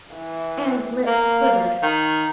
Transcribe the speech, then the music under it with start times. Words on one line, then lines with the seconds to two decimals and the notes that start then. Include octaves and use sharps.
Anne's lips quivered.
0.14 E3
1.06 A#3 F5
1.83 D#3